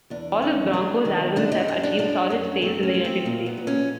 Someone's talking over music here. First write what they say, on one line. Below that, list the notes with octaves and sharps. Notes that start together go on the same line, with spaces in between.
All of Bronco's albums have achieved solid sales in the United States.
E2 D4
E2 C#4
F#3 D4
D#3
F#2 D4
D#4
G3 D4
D4
F#2 D4
F#2 C#4
A3 C4
C#4
F3
C4
A#2 A#3
B3
A#2
C#4